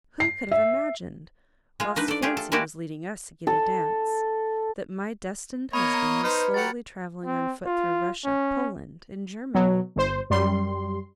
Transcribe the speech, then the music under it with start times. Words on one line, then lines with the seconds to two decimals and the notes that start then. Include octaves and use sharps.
Who could have imagined, whilst fancy was leading us a giddy dance, that my destined husband was slowly traveling on foot through Russia, Poland, and Germany?
0.20 C7
0.51 E5
1.80 G#3 F4
1.96 D4 D#4 B4
2.08 A4 D5
2.22 A3 F4 G4 G#4
2.37 A4
2.52 G#3 A#3 E4 F#4 G4 D5
3.47 A4
5.73 A#3 B3 C#5 D#5 B5 G#6
5.94 A#5 C#7
6.24 D#4 B4 C5 F6
6.54 F#3 G4 F#5 A6 C#7
7.26 C4
7.66 F4
8.25 C#4
9.54 B2 F#3
9.96 G1 C5
10.30 F#2 G3 C6